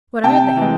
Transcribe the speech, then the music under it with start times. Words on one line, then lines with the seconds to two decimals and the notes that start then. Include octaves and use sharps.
"What are they?"
0.23 C3 G5 A5
0.57 E3 G#3